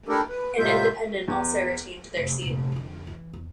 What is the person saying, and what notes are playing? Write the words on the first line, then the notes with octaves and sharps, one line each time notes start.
An independent also retained their seat.
A3 D4 E4 G4 A4 A#4
B4
A2 C3 G#3 F4 E5 G6
E2
F1
F1 A#2
F2 D3
E3
E2